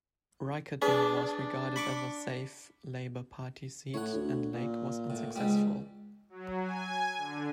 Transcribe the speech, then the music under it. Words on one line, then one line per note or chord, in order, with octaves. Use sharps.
Riccarton was regarded as a "safe" Labour Party seat, and Lake was unsuccessful.
D4 G#4 B4
D4
B5 C#6 D6
A2 C#5 F#5
D2
A#2
A2
C#2 G#2 G3
F#3
G#5
D3